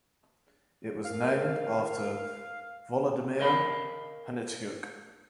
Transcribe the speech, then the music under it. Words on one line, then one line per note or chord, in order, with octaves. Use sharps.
It was named after Volodymyr Hnatiuk.
A#4 F5
A#4 D#5 F5 B5